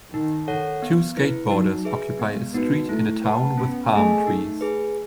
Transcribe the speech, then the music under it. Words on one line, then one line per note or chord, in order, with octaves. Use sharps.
Two skateboarders occupy a street in a town with palm trees.
D#3 D#4
A4 C#5 F#5
B3
E4 B4
F#3 D#4
G#4 B4 E5
G#3 B3
B3 D#4 F#4 B4
A3 E4
B4 F#5 A5
B3 C#4
A3 G#4 D#5 G#5
D#4
G#4 B4